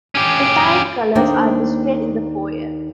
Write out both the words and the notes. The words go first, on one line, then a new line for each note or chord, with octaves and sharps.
Retired Colours are displayed in the foyer.
C#4 G4
D#2 A#3 D4 D#4 C5 G5